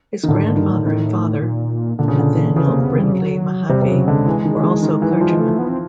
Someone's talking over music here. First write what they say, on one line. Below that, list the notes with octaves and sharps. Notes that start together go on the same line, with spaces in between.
His grandfather and father, Nathaniel Brindley Mahaffy, were also clergymen.
D#3
A2 D3
G#2
G2 D#3
A2
A2 D#3
A#2
A#2 D3
C#3
D3
C#3 E3
C3 A#3
C#3 B3
G3
F#3
C3 G3
C3
C#3 F#3
D3 G#3
E3
D#3
E3
D#3
D#3
E3
F#3
F3 G3
G#3
A3
B3
C4